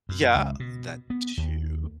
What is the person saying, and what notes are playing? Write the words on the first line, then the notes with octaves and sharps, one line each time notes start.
Yeah, that too.
F#2
C#2
B2
B3
D#2